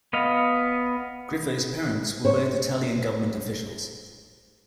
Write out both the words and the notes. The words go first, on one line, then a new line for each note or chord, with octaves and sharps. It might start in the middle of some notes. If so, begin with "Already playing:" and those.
Grifo's parents were both Italian government officials.
B3 D#5 F5
C5 C#5